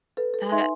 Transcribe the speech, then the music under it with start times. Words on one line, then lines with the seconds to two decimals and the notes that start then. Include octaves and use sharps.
That it
0.17 A4 B4
0.34 A4
0.51 D#4 E5 G#5 C6